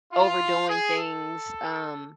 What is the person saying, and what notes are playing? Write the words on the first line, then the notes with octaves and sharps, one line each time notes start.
overdoing things, um,
F4
G#4
A4